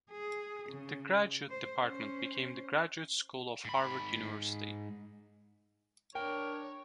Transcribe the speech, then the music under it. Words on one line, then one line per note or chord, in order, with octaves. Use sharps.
The Graduate Department became the Graduate School of Harvard University.
G#4
C#3
C5
C#4 C5
G#2 B5
D4 A#4 C#5 G5